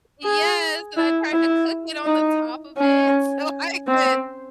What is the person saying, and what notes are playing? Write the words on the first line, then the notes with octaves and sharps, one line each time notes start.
Yes, and I tried to cook it on the top of it, so I could
G#4
E4
E4
D#4
C#4
C4